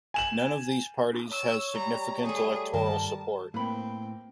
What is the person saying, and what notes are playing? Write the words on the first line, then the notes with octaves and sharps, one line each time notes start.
None of these parties has significant electoral support.
G#5 E7 F#7
C#5 E6
G3 A#5
G3 A3 G#4
G2 D#3 G3 A#4 A5
A2 A#3 C4 B4 G5 B5